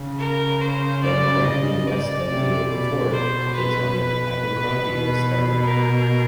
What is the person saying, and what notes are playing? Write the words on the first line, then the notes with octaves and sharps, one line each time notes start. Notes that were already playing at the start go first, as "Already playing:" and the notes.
Then directly west of the old fort, the town of Abercrombie was started.
Already playing: C#3
A#4
C5
D5
D#5
D5
C3
B2
B2 C5
B4
B2
A#4